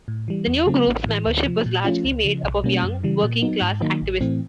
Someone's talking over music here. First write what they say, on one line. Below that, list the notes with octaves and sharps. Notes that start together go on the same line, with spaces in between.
The new group's membership was largely made up of young, working class activists.
A2
E3 G3
E2
C#3 F#3 A3 C4
A1
A2 E3
D2
C3 F3
A#2
F3 A3 C#4 F4
C#2
C#3 F3
B1
B2 G3 A#3 C#4
F#2
C#3 E3 G3
A#2
F#3 B3 D#4
G#2
D#3 F#3 A#3 D#4
A1
A2 E3 A3 C4